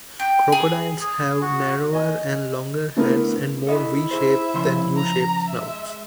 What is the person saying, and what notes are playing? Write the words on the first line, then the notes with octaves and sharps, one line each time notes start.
Crocodiles have narrower and longer heads, and more V-shaped than U-shaped snouts.
G5
G#4
G#4
F#4
D#5 G#5
D3 A3 B3 E4 A#4
E4 A4 D#5 E5
G#4 C5 E5
C#3 F3 C6
A#5
G#3 E5